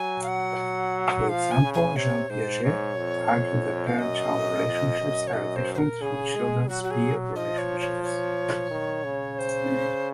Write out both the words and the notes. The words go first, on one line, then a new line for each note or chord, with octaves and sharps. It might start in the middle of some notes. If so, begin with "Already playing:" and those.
For example, Jean Piaget argued that parent-child relationships are different from children's peer relationships.
Already playing: F#3 G#5
F5
F#5
F3 F5
G#5
C#3
G#5
C3 C#5
G#2 C5
G#2 C#5
F2
F5
F#2 D#5
F2
F#2
C#5
F#2 D#5
C5
C5
A#4
C#3 G#4
G#3
F#3 F#4
F#4
G#4
F3 D#5
C#5
C#5
C#5
D#3
C#3
C5